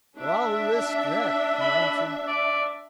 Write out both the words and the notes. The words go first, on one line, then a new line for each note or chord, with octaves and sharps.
"I'll risk that," he answered.
D4 E5
B5
D5